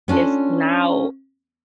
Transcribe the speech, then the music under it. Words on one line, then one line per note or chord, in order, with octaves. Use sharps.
it's now
B3 C#4 D4 F4 A4